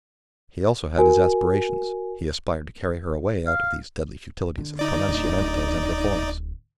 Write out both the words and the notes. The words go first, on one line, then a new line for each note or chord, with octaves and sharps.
He also had his aspirations, he aspired to carry her away out of these deadly futilities of pronunciamientos and reforms.
F#4 A#4 G#5
F5
D3
D#4 D5
D1 D4